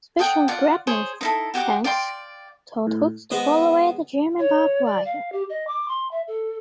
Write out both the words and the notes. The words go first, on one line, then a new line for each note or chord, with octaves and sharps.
Special "grapnel tanks" towed hooks to pull away the German barbed wire.
A4 D#5 F#5 G5
F4 D5 F#5
G#4 C5 C#5
D#4 E4 A4
F#4 G4 F#5 D6
D5 F5 G5 C6
A2
G#3 B3 B4 C5 D#6
C#5
D5
F5
G4
D#5
D6
C6
E5
A4